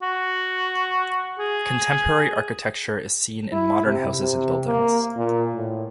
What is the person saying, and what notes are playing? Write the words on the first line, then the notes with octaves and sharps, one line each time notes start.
Contemporary architecture is seen in modern houses and buildings.
F#4
G#4
E4
C3
C3
A#3
A#2
A2